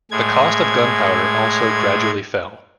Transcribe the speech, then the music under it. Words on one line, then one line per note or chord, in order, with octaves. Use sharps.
The cost of gunpowder also gradually fell.
A2 G#3 G#6